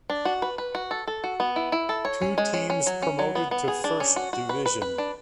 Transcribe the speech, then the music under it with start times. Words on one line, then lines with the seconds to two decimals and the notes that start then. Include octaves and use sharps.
Two teams promoted to First Division.
0.10 D4
0.25 F#4
0.42 B4
0.58 B4
0.75 F#4
0.91 A4
1.07 A4
1.24 F#4
1.40 B3
1.56 E4
1.72 E4
1.89 A4
2.05 C#5
2.22 C#4
2.38 G#3
2.54 C#4
2.70 C#4
2.86 F#3
3.03 C#4
3.19 F#3
3.35 B3
3.51 B3
3.68 G#4
3.84 D4
4.00 C#4
4.16 F#4
4.33 F#4
4.49 B4
4.66 B4
4.82 B4
4.98 D4